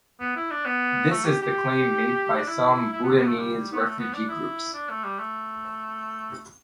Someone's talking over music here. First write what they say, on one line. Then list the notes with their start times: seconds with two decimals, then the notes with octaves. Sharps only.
This is the claim made by some Bhutanese refugee groups.
0.20 B3
0.36 E4
0.51 D4
0.66 B3
1.11 A3
1.26 G4
1.42 G4
2.37 D4
2.47 E4
2.93 E4
3.03 B3
3.16 G3
3.22 B3
3.27 A3
3.39 G3
3.72 B3
3.84 A3
3.99 B3
4.14 D4
4.29 E4
4.74 D4
4.90 A3
5.04 G3
5.19 A3